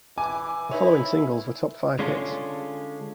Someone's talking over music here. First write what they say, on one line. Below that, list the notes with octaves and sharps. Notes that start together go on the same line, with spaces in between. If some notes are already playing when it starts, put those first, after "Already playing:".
The following singles were top five hits.
E3 G#5 D6
D#4 E4 B4 C#5 E5
D3 G#3 C#4 F4 G#4 A4